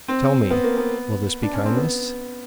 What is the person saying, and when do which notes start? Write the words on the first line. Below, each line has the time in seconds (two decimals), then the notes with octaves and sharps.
Tell me, will this be kindness?
0.08 C4
0.50 B3
0.63 A#3
0.77 B3
1.43 D4
1.54 C#4
1.65 C4
1.76 B3